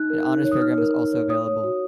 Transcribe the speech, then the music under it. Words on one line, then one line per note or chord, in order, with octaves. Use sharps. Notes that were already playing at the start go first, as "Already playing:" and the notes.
An Honors Program is also available.
Already playing: D#4 F#6
A#4
D#4
C#5
D#6
D#4 F6
A#4
D#4
C#5
C#5 D#6
C#5
F#4